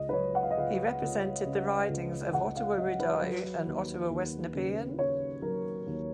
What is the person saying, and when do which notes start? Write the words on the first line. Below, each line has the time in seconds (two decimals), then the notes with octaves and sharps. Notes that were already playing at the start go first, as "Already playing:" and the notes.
He represented the ridings of Ottawa-Rideau and Ottawa West-Nepean.
Already playing: C#2 D#5
0.09 B4
0.13 F#3 C#5
0.35 F#5
0.43 F5
0.51 D#5
0.57 C#2 F5
1.01 C#2
1.45 C#3
1.89 C#2
2.33 C#2 F#5
2.56 F5
2.78 F#3 D#5
3.00 B4
3.22 F#3
3.66 D#2
4.10 D#2
4.54 C#3
4.98 C#3 C#5
5.42 F#3 A#4
5.86 D#2